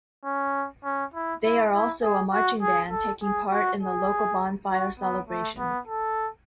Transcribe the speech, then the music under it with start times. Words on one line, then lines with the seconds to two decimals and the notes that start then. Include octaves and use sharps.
They are also a marching band, taking part in the local bonfire celebrations.
0.25 C#4
0.84 C#4
1.13 E4
1.43 E4
1.73 E4
2.02 G#4
2.31 F#4
2.61 G#4
2.91 A4
3.21 G#4
3.51 F#4
3.81 G#4
4.69 F#4
4.99 B3
5.28 A3
5.58 B3
5.87 A4